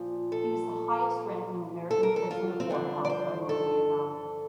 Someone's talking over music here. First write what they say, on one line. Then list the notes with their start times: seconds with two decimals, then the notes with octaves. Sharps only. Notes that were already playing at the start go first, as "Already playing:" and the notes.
He was the highest ranking American prisoner of war held by North Vietnam.
Already playing: A#2 F3
0.32 A4
1.91 A4
2.03 A#4
2.16 A4
2.31 F4
2.60 C4
2.70 G2 D3 F3 D4
3.05 D5
3.10 C5
3.49 A4